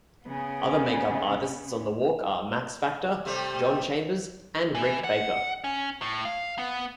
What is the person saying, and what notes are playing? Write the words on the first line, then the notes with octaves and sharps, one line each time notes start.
Other make-up artists on the walk are Max Factor, John Chambers and Rick Baker.
C#3 B3
C3 G3 A3
E3
F#5
C#4
A2
F5
B3